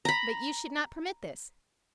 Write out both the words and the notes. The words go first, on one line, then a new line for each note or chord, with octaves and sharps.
But you should not permit this.
A#5 B5